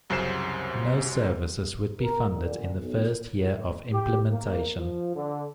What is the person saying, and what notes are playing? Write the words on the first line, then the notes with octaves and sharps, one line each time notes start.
No services would be funded in the first year of implementation.
C2 F#2 C#3 C5 C7 E7
A#4
A#2 D3
B1
A2
G4
A#3
F3
D3